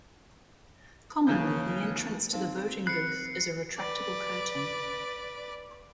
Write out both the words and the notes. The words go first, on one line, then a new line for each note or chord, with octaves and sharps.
Commonly the entrance to the voting booth is a retractable curtain.
D#2 C#3 E3 G6
C4 D#4 C5 D5 F5
C5 B5 F#6 C7 C#7
B4 D5